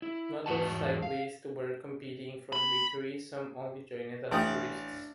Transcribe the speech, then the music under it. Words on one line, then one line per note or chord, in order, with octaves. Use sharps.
Not all cyclists were competing for the victory; some only joined as tourists.
E4
E2 G#2 F#4 F#5 A5
F5
B5
A1 D4 G5 D#6